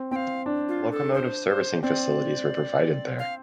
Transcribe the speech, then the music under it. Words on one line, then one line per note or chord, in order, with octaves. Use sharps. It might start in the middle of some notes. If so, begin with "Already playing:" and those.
Locomotive servicing facilities were provided there.
Already playing: C4
C4 F5 G5
D4
F4
A4
C5
C5
C4 D5
F5